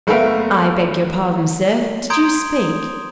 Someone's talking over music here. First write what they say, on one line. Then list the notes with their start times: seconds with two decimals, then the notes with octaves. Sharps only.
I beg your pardon, sir, did you speak?
0.07 F#1 A3 B3 A#4 E5 F5
2.10 A#5 C6 D#6 G6 G#6 D7